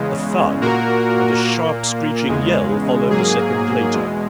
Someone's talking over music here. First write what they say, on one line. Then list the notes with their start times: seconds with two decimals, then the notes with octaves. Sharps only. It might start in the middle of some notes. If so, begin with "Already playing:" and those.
A thud and a sharp screeching yell followed a second later.
Already playing: E2 C#3 G#3
0.61 A#2 A#3 F#4 A#4
1.45 A#2 A#3
2.28 E2 C#3 G#3
3.10 G#2 F#3 A#3 G#4
3.93 E2 B2 G#3